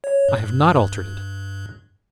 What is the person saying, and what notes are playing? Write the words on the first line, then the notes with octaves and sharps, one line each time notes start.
"I have not altered it."
C#5
G2